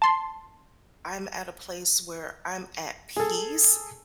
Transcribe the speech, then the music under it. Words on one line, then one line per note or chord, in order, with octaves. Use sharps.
I'm at a place where I'm at peace,
A5 C6
G#4 A4